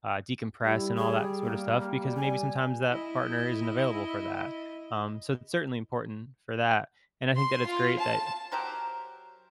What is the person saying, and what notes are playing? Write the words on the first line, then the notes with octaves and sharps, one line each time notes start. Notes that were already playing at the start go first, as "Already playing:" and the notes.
uh, decompress and all that sort of stuff because maybe sometimes that partner isn't available for that. Um, so it's certainly important for that, and I think that it's great that,
G3 E4
G#4
A#3
G#5
E4 D#5
C6
F4
A5
F#3 G4 A#4 C5